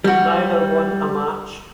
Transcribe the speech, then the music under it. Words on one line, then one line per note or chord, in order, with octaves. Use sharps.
Neither won a match.
G3 F#4